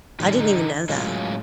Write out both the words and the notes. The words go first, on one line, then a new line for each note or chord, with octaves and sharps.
I didn't even know that.
A2 D#3 G3
D3 D#4
A2 F#3 G#3 A#3 C#4 F4